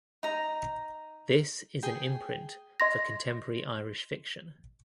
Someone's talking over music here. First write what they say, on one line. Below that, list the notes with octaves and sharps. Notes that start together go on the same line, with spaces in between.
This is an imprint for contemporary Irish fiction.
D#4 A#5
G#4 G5
D#5 C6 A#6